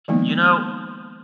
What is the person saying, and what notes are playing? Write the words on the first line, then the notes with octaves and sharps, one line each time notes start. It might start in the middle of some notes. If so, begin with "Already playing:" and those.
you know,
D#3 F3 G#3 A#3 B3 D#4